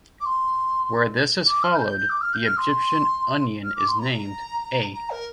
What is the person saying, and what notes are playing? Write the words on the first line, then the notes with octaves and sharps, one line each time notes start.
Where this is followed, the Egyptian onion is named A.
D6
C6
D6
F6
G6
G6
G6
D6
F6
G6
F6
C6
F6
D6
C6
A#5
A#5
A#4